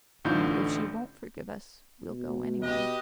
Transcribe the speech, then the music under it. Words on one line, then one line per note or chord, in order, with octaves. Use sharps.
And if she won't forgive us, we'll go, anyway.
A1 A2 D3 D#4 F4 G6
B2
G4 B4 D#5